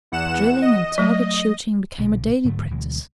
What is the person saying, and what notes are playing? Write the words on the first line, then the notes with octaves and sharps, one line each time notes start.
Drilling and target-shooting became a daily practice.
E2 F#5 E7
D#5
F#3 A3
B1 A#2 D3
G#2 D3 F#3 A3
D2 B2 E3 G#3